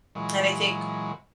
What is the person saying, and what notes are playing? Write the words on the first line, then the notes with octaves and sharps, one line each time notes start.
and I think
A#2 E3 F#3 G#3